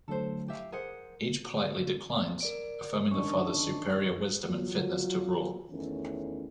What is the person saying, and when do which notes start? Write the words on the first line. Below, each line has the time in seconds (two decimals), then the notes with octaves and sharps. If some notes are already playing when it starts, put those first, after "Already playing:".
Each politely declines, affirming the father's superior wisdom and fitness to rule.
0.08 D3 F#3 A3 A4 C5
0.48 G4 E5 F5
0.72 G#4 A#4 C5 F#5
2.41 A#4 D5 D7
3.11 D#3 C#4 D4 C#6
4.44 F#3 F4
5.70 E2 D#3 A3 C#4